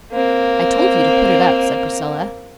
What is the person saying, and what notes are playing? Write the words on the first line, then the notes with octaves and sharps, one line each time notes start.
"I told you to put it up," said Priscilla.
A#3 C4